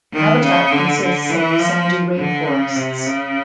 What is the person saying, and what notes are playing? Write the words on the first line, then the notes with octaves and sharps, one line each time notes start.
The habitat consists of sandy rainforests.
D#3
C#3
D3
D3
E3
F3
D3
C#3
C3
C#3